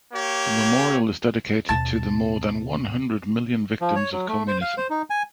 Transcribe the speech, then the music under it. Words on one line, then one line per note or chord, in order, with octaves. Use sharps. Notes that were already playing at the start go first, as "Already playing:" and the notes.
The memorial is dedicated "to the more than one hundred million victims of communism".
A#3 G4 C#5
D#2 B2 A5
F3
C#5
F#3
A3
C5
F5
C5
D#4
G#5